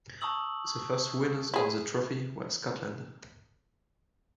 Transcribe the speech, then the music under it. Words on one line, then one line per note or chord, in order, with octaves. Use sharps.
The first winners of the trophy were Scotland.
A5 A#5 C#6 D#6 E6 F#7
E4 G#4